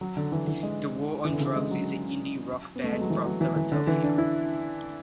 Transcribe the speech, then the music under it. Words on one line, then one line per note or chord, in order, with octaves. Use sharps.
The War on Drugs is an indie-rock band from Philadelphia.
F#3
D3
E3
E3
G#3
E3
D3
C#3
G#3
F#3
B3
A3
G#3
F#3
E3
F#3
E3
E3
D3
E3
D4
E4